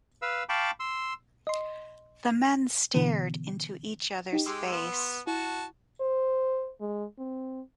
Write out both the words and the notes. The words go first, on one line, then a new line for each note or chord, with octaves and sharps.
The men stared into each other's face.
B4 F5 E6
F5 G5 A5 B5 C#6 D6
C6 E6
D#5 C6
B2 D3 E3 B3
D#4 G4
G#3 G4 C6 E6
B3
E4 F#4 A5
C5
G#3
C4